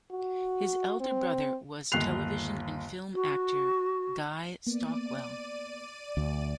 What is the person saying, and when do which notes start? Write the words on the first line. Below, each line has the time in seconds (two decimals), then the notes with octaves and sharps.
His elder brother was television and film actor Guy Stockwell.
0.11 F#4
1.00 C4
1.92 G1 D#2 F#6 C7 F7
3.13 F#4
4.67 A#3 B3 D5 D#7
6.17 D2